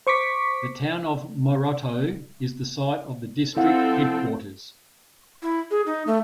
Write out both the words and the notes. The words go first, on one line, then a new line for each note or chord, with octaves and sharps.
The town of Moroto is the site of the district headquarters.
C5 C#6 D6 B6
F3 C4 E4 A4 F5 F#5
E4
G#4
D#4
A3